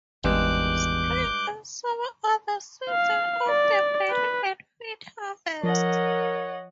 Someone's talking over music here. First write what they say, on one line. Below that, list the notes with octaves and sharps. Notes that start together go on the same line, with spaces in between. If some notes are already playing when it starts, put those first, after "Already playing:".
Spring and summer are the seasons of the barley and wheat harvests.
G#1 E2 G2 G#3 D6 F#6 G6
F5
D5
B4
F3 A#4 C#5 D#5 F#5